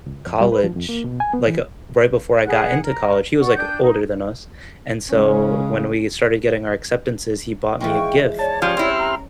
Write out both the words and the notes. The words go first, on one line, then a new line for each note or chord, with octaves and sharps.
college, like, uh, right before I got into college, he was, like, older than us and so when we started getting our acceptances, he bought me a gift
C#2
F2
G3
B4
F3
F2
A#3
B2
G#5
B3
E3
G#4 B4 F#5 F#6
A#4
D5 F#5 C#6
D4 G5 D#6 G6
D#4
C#3 G#3 C#4
E3 F3 G#3 G5 C#6
C#5 D5 A5
F3 C#4 G4 C6 F6
C4 E4
A#5